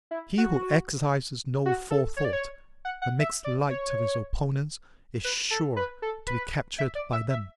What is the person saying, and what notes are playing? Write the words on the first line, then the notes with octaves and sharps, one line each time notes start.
He who exercises no forethought but makes light of his opponents is sure to be captured by them.
E4
F#4
F#4
A4
C#5
D5
C#5
F#5
F#5
E5
D5
C#5
B4
A4
B4
A4
B4
E5
D5
E5
E5